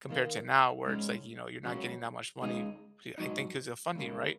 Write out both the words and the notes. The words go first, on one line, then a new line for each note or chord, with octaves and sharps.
compared to now where it's like, you know, you're not getting that much money. B I think 'cause of funding, right?
D#2 D#3 A#3
G#2 G#3 C#4
C#2 C#3 F#3 C#4
C#2 C#3 G#3 D#4
G#2 F#3 D#4
C#2 C#3 A#3